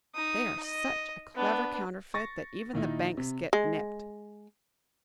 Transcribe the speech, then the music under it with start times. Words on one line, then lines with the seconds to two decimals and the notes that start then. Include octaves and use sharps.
They are such a clever counterfeit that even the banks get nipped.
0.14 D#4 D#6
0.63 D#5
1.35 B3 D4
2.14 C#6 A6 A#6
2.73 A#2 D#3 D#4 E4
3.17 C3
3.53 G#3